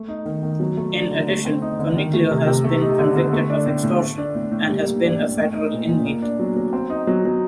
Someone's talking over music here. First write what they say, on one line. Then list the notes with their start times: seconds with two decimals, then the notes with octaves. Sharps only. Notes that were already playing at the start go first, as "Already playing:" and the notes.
In addition, Coniglio has been convicted of extortion and has been a federal inmate.
Already playing: A3
0.08 D#4
0.26 D#3
0.43 D#3
0.60 F#3
0.77 A3
0.94 D4
1.11 D3
1.28 A3
1.45 C4
1.62 D#4
1.79 D3
1.97 D#3
2.13 A3
2.31 C3
2.47 C3
2.64 A3
2.81 D#4
2.99 D3
3.16 D3
3.33 A3
3.50 D4
3.66 A2
3.84 A2
4.01 A3
4.18 D4
4.35 A2
4.52 A2
4.69 G3
4.86 A#3
5.03 D4
5.20 A2
5.37 A3
5.54 D#4
5.72 A#2
5.88 A#2
6.06 A#3
6.22 D4
6.40 F#3
6.57 F#3
6.73 C4
6.90 D#4
7.07 F#3
7.25 F#3